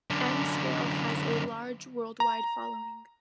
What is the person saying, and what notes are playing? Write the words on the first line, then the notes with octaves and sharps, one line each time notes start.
N scale has a large worldwide following.
F#2 D3
A#5